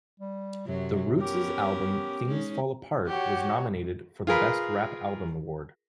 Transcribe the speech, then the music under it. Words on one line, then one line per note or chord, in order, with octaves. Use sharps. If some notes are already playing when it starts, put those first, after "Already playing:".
The Roots' album "Things Fall Apart" was nominated for the Best Rap Album award.
G3
F#2 C3 F#3
B3 C#4 G4 A#4
G#3 C#4 D#4
F#4 G4 C#5
F4 G#4 A#4 B4